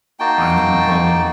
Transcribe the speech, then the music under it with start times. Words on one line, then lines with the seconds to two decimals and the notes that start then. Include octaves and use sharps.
find the root problem?
0.19 A#3 D#4 F#4 G5 A5